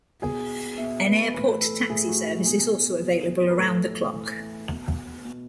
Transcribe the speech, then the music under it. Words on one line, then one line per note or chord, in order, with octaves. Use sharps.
An airport taxi service is also available around the clock.
B2 G#4
B2 E5
B4
A2 E3 B4
A4
A2 E3 G#4
F#4
B2 G#4
B2
B4
A2 E3 A4
A2 E3
B2
B2